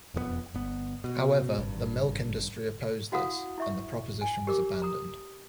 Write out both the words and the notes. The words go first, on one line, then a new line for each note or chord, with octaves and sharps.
However the milk industry opposed this, and the proposition was abandoned.
E1 F2 G#3 B3
G1 B3
B2
G#1 G2
E4 F#4 F5 F#5 A#5 D#6
E4 E5 C#6
G#5
G4 A#4 D6
A#5 D#6